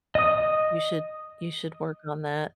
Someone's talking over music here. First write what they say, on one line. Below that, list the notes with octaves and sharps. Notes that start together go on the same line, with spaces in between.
You should you should work on that.
D#5 D#6